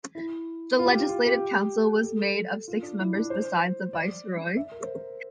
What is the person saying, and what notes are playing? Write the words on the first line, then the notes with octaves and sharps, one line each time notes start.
The Legislative Council was made of six members besides the Viceroy.
E4
F4
G4
F4
F4
G4
A4
F4
D4
E4
D4
C5
D5
E5
A#4
C5
A#4